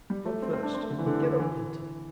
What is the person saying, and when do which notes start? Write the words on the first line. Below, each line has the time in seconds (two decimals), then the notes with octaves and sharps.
But first — get up, Linton!
0.10 G3
0.25 A3
0.42 C4
0.53 C4
0.63 D4
0.74 C4
0.83 A3
0.90 D3
0.99 E3
1.06 D3
1.23 D3
1.40 E3